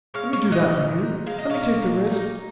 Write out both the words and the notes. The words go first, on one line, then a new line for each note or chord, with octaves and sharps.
Let me do that for you--let me take the risk.
G#3 C#5 F5
C#5 F5
A#2
D#5 F#5
A#2
D#4
G#3 F5
D#5
A#2 C#5 F5
A#2
D#4